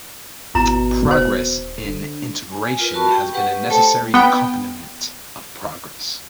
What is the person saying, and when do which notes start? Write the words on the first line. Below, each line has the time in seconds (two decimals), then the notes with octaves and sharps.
Progress in integration has been a necessary accompaniment of progress.
0.55 G#1 B2 E4 A#5
1.11 D#1 C5
1.84 D3
2.52 G#5
2.79 F4 A#4 B4
2.94 F#4 A#4 A5 B5 C#6
3.12 G4 G5
3.33 G4 B4 F#5 C#6
3.70 A3 A4 C5 C#5 G5 A5
4.14 B3 G5